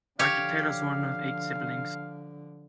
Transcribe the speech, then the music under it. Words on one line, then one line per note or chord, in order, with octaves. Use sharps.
Doctor Taylor was one of eight siblings.
D3 F3 G4 C#5 F5